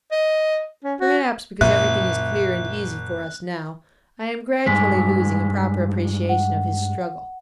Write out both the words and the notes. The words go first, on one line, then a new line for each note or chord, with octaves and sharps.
Perhaps, because everything is clear and easy for us now, I am gradually losing a proper appreciation of his struggle.
D#5
C#4
F#4
F#1 A#2 E5 F#6
G2 G#3 G#5 B6
F#5